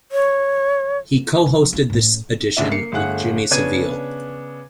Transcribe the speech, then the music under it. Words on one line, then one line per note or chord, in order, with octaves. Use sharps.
He co-hosted this edition with Jimmy Savile.
C#5
F3
E4 F4
A2 C#4
G#1 D2 C#3 D4 E4 E5
A#3 C7 C#7
G1 A3 G#4 F#5 F#6
C#3 B3 D4 C#5 G#6 D#7